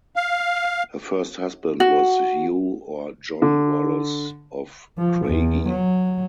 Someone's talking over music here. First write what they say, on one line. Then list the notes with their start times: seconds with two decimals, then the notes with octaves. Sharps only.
Her first husband was Hugh or John Wallace of Craigie.
0.16 F5
1.80 F#4
3.42 D3
4.98 F3
5.27 E2
5.69 F#3